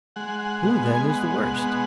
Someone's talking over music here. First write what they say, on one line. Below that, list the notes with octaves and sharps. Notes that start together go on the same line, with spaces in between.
'Who, then, is the worst?
G#3 F#5
F#5
B2 F#5
G#5
G#3 F#5
B2